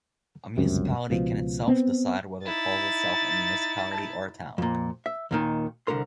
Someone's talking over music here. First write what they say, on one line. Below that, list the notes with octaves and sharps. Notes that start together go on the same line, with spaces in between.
A municipality can itself decide whether it calls itself a municipality or a town.
G1 C#2 F#2 C3
C#2 B2 F3
B3 C4
D#4 E4 A6
F2 A#2
E5
D#2 A#2 D#3
C2 D3 A#4 C6